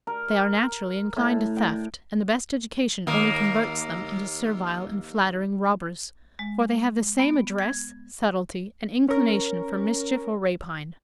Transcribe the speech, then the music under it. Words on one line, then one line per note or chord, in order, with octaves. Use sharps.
They are, naturally, inclined to theft, and the best education only converts them into servile and flattering robbers; for they have the same address, subtlety, and inclination for mischief or rapine.
A#4
A2
G5
D#2 A#3
G#3
B3
G#6
C#4 A#4